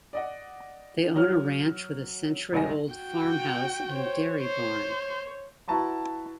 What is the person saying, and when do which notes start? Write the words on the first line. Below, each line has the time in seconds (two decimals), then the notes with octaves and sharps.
They own a ranch with a century old farm house and dairy barn.
0.13 D5 D#5 F#5
1.16 F#3 F6
2.53 G#1 C#2 G3 D#4 G#5 A#6
2.92 F#4 G5
3.91 C5 C#5
4.42 C5 C#5
4.76 C#5
5.68 E4 F#4 B4 A5 A#5 C#6